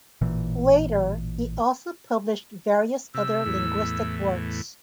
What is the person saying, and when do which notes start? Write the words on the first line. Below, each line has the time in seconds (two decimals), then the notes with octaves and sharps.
Later, he also published various other linguistic works.
0.21 A1 A#2 E3
3.14 C3 E6
3.46 E2 A2